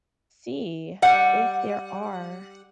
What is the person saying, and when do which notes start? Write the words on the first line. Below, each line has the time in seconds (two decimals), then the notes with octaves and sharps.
see if there are
1.02 G3 F#5